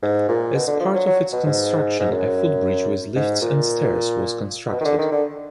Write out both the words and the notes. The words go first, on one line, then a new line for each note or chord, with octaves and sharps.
As part of its construction, a footbridge with lifts and stairs was constructed.
G#2
A#2
B2
D3
F3
F#3
F#3
B2
G#2
G#2
F#2
G#2
A#2
B2
D#3
D3
D#3
D3